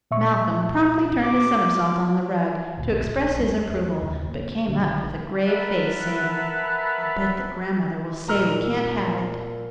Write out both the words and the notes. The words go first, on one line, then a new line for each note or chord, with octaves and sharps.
Malcolm promptly turned a somersault on the rug, to express his approval, but came up with a grave face, saying, "I'll bet that grandmother will say we can't have it."
A#2 E5 C#6
F#4 D6
A1 D2 G2 A#2
A#1
E2 G#3
D#2 G#2 C#3
A#3
A#1 D3 D#3 D4
A#4 B4 E5 F#5 A5 B5
A#2 A#5 E6 F6